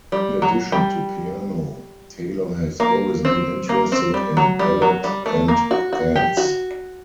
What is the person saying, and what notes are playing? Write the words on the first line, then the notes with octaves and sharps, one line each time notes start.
In addition to piano, Taylor has always been interested in ballet and dance.
G3
F#3
G3
A#3
C4
A#3
C4
G3
F#3
G3
F#3
G3
A3
A#3
F#4
F#4
G4
F#4